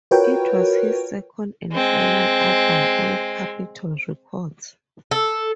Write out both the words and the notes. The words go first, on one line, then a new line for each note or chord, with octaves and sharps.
It was his second and final album on Capitol Records.
F4 F#4 A#4 B4 C#5 G5
G#3 C4
A4